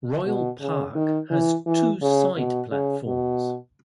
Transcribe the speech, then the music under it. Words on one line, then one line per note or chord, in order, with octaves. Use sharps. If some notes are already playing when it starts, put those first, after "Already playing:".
Royal Park has two side platforms.
B2
C#3
D#3
E3
E3
C#3
B2
C#3
B2